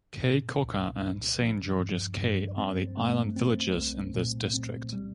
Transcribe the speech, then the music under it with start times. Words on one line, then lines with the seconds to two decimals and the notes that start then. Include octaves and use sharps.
Caye Caulker and Saint George's Caye are the island villages in this district.
0.23 A#2
0.63 C2
1.02 C2
1.41 F3
1.80 G2
2.19 G2
2.58 C4
2.97 A3
3.36 C4
3.75 C2
4.14 A#2
4.54 C4
4.93 G3